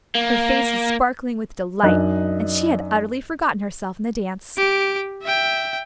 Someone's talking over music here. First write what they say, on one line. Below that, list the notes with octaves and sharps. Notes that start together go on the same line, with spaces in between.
Her face was sparkling with delight and she had utterly forgotten herself in the dance.
A#3
F#2 D4 D#4 D#5 F#6
G4 D7
E5 G5